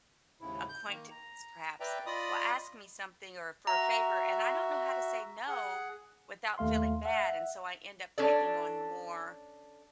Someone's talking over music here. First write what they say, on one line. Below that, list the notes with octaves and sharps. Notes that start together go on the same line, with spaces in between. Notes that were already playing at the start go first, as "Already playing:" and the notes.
acquaintances perhaps will ask me something, or for a favor and I don't know how to say no without feeling bad, and so I end up taking on more
D#2 G#2 C#3 E4
G6
D#3 A#3
A#5
B4 D5 E5 G5 A#5
F4 D5 D#5 B5 D#6
F#4 E5 A#5
G#4 F#5
D#2 A3 F5 C6
E5 F#5
C#4 D4 A4 D5